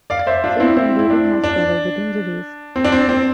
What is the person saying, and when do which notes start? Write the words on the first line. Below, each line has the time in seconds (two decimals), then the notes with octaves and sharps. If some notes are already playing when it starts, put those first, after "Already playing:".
Since then Rubin has struggled with injuries.
0.10 D5 F5
0.27 C5 E5
0.44 D4 F4
0.60 C4 E4
0.77 C4 E4
0.99 E4
1.10 D4
1.44 D4
2.76 C4
2.84 D4
2.92 C4
3.09 C4